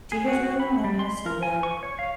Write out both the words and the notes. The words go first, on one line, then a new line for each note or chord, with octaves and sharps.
do you guys really wanna learn how to snowboard?"
G#4
F#4
B5
G3
C6
A#4
G#5
C#6
C#5
F5